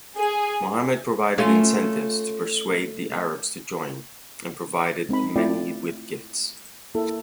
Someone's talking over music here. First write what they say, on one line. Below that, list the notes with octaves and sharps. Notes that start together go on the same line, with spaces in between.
Muhammad provided incentives to persuade the Arabs to join, and provided many with gifts.
G#4
A3 C#4 F4
G#3 C4 D#4 B5
A3 C4 E4 F4 D5 G5
A#3 E4 A4